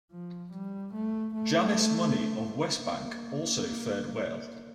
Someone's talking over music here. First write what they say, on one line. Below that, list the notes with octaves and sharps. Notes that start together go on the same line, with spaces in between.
Janice Money of Westbank also fared well.
F3
G3
A3
A3
A#3